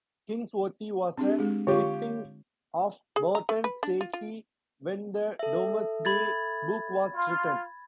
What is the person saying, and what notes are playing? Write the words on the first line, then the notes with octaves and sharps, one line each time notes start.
Kings Worthy was a tithing of Barton Stacey when the Domesday Book was written.
C4 D4 G4
G#3 G#4
D3 F4 G4 C#5 C#6
G#4
A#5
A3
B4
D4
F4
F4
A4 E5
B5 G#6 A6
F4